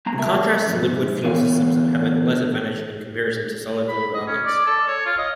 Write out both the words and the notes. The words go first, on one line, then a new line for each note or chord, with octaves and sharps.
In contrast to liquid-fuel systems that have less advantage in comparison to solid-fuel rockets.
G#3 A#3 A#5
G2 A#4 E5 A5
F2 G#2
D3 E3 B3 C#5 D5 F5
B5
D#5
C#4
D5
A4
C#5
F4
D#5